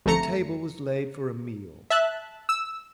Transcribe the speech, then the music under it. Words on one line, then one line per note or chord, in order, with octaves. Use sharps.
The table was laid for a meal.
G1 F2 A3 A#5 C#7
E5 A5 F#6
E6